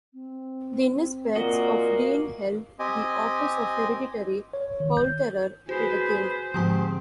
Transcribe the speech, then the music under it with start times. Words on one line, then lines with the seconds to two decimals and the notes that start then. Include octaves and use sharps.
The Nisbets of Dean held the office of Hereditary Poulterer to the King.
0.14 C4
1.35 A#2 A#3 F#4 D#5
2.79 C4 G4 D#5 G#5
4.53 C#5
4.80 D#3
4.97 G6
5.69 F#4 G#4 B4 C5
6.54 G#2 D3 F3 C4 G4 G#5